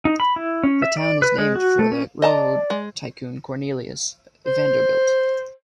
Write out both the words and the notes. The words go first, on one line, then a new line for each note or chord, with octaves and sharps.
The town is named for the railroad tycoon Cornelius Vanderbilt.
D#4
B5
E4
C#4
E5
D5
B4
G#3
F#4
A3
C#4
D5 D#5 A5 A#5
G#3
C5